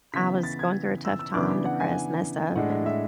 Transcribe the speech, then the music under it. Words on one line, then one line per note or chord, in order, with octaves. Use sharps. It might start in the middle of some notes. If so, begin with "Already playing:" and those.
I was going through a tough time, depressed, messed up, and
C#3 E3 B3 B6
A6
G#6
E6
E6
C#3 E3 B3 D4 D6
F#5
G#5
A2 G#3 D4 F#5
E5